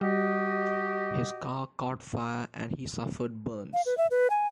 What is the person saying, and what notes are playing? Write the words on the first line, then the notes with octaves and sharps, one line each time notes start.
His car caught fire and he suffered burns.
G3 F#4 G4 D#5
F5
B4
E5
B4
G#5